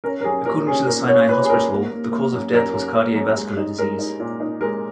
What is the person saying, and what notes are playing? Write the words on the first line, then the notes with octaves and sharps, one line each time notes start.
According to the Sinai Hospital, the cause of death was cardiovascular disease.
C#4 A#4
A#4
F#3 G#4
A#2 A#4
C#4 G#4
A#2 A#4
A#2 C#5
A#2 B4
G#4
A#2 A#4
A#3
A#3
A#3
F#2
F#2 A#4
F#2
A#3
F#2
G#3
D#4
G#3 A#4
D#4
A#2
D#4
G#3 A#4